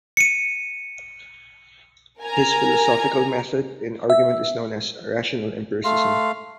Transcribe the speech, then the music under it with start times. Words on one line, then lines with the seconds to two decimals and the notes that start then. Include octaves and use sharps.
His philosophical method in argument is known as rational empiricism.
0.17 C#7 D#7
2.21 A#4 G#5 A#5
4.10 E5
5.84 A3 F5 C6